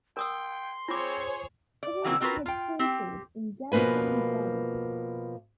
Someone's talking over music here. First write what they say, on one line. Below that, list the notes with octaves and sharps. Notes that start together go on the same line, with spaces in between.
It is headquartered in Downtown Dallas.
A#4 G5 C6 D#6 E6
C4 F4 G#4 C5 C#5 D6
D5
C#3 E3 F#3 A#3 C4
G3 C4 F4 F#4 A#4 B4
F4 G5
C4 G4
B2 F3 A#3 B4 G#5